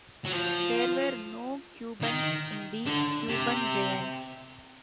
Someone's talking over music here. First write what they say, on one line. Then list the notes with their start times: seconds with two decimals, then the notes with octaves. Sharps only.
There were no Cubans in the "Cuban Giants".
0.25 F#3
0.32 F3
2.01 D#3
2.86 D3
3.28 C3